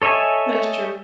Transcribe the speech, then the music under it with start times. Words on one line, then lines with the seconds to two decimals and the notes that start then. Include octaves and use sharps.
That's true.
0.02 A4 C#5 D#5 E5 G#5